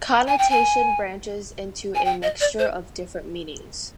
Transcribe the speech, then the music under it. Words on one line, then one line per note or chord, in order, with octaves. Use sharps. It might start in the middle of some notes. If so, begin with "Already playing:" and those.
"Connotation" branches into a mixture of different meanings.
G#5
G5
G#5
G#5
G5
D#5
D5
C5